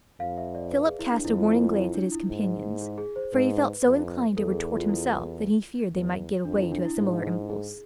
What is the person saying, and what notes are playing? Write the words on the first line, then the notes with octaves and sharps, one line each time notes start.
Philip cast a warning glance at his companions, for he felt so inclined to retort, himself, that he feared they might give way to a similar impulse.
F2 F5
E5
D5
B4
G#4
E4
D4
F2 E4
F4
E4
F4
E4
D4
E4
G#2
G#4
G#4
C5
G#2 B4
F2
E2 A4
G#4
G#4
F4
E4
E2
F2 D4
E4
D4
E4
G#2
G#4